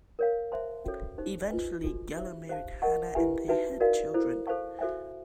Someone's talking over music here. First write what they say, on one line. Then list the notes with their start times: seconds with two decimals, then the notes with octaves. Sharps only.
Eventually, Geller married Hannah and they had children.
0.19 A#4 C#5 F5
0.52 C5 E5 A5 C6
0.84 C#4 F#4 A4 C#5
1.18 D#4 G4 C5
1.50 F4 G#4 B4 D#5 G#5
1.84 D4 F#4 A4
2.16 D#4 G4 C5 E5
2.49 G4 C5 F5 A5
2.82 A#4 D#5 F#5 A5 C#6
3.15 E4 G4 B4 E5 G#5
3.48 D#4 F#4 B4 E5 A5
3.80 F#4 A#4 D5 F5
4.14 E4 A4 C5
4.47 A4 C5 F5 A5 C#6
4.79 F#4 A4 C5 E5 G#5